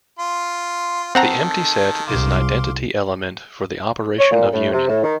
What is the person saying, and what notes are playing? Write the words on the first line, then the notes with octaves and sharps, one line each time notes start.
The empty set is an identity element for the operation of union.
F4 C6
D#3 C4 A4 F#5 A#5
C2 F5 C6 D6
C#5
A#2
A2
C3
A2
D#3